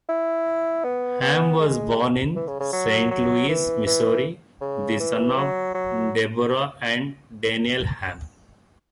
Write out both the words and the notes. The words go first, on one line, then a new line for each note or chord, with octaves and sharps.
Hamm was born in Saint Louis, Missouri, the son of Deborah and Daniel Hamm.
E4
B3
B3
G#3
E3
C#3
C#3
F#3
F#3
E3
E3
C#3
E3
F#3
F#3